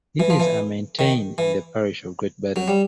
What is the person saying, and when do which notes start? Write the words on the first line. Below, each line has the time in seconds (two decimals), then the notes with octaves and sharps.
Details are maintained in the parish of Great Burdon.
0.20 E3
0.30 F3
0.40 E3
0.99 D#3
1.38 E3
2.56 F#3
2.68 G3